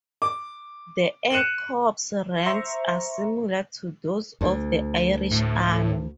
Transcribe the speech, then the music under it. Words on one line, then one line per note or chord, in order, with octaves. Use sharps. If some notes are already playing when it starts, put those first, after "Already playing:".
The Air Corps' ranks are similar to those of the Irish Army.
D6
F#6 C#7 D#7 E7 F#7
C5 E5 A#5 C#6
D2
A2